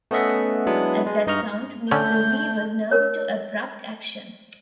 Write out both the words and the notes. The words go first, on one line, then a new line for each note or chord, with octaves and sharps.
At that sound Mr. V. was nerved to abrupt action.
A3 B3 C#4 D#5 E5 F#5
F#3 G#3 B3 D4 E4
G#3
G2 D#4 D#5 C#6 F6
D3 A3 C#4 G6
A#4 C#5